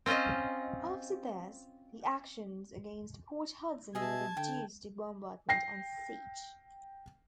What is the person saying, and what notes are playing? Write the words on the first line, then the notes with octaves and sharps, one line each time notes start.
After this, the actions against Port Hudson were reduced to bombardment and siege.
C4 C#4 F4 C5 D#5
B2 G#4 D#5 E5 A5 G#6
D3 G5
G5 A#6 C7